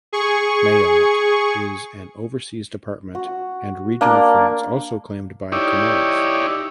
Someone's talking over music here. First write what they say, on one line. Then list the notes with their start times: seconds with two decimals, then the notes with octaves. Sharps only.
Mayotte is an overseas department and region of France also claimed by Comoros.
0.13 G#4 C#6
3.15 F#4
4.01 A#3 D4 D6
5.52 D#4 E4 G4 C#5 D5